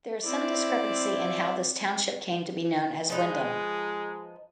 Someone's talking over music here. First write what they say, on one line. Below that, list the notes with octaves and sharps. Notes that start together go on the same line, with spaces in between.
There is some discrepancy in how this township came to be known as Windham.
C4 E4 D5
F3 G#3 D#4 B4